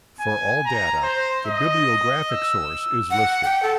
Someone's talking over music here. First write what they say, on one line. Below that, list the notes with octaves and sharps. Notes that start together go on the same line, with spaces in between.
For all data the bibliographic source is listed.
G#5
A#5
C5
D#5
E6
F#5
G5
A4